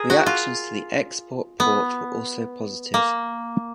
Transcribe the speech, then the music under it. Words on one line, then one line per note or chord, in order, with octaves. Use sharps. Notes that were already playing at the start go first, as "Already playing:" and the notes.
Reactions to the Xbox port were also positive.
Already playing: G#4 A#4
F#4
F4
B3
A#3